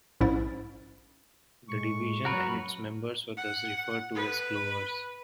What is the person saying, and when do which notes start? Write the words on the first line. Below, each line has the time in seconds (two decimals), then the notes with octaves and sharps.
The division and its members were thus referred to as "clovers".
0.21 A#1 G#2 C#4 E4 A6
1.69 A2 G#3 C#6
2.25 F#2 F#3 F#4 A#4 B4
3.37 F#5
4.15 B4